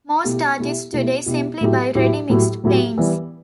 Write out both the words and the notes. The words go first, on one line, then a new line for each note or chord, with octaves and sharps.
Most artists today simply buy ready-mixed paints.
B2 A3 E4 G4
B2 A3 E4 G4
B2 A3 E4 G4
B2 A3 E4 G4
A2 F#3 A3 E4 G4
A2 F#3 A3 E4 G4
A2 F#3 A3 E4 G4
A2 F#3 A3 E4 G4
E3 G3 B3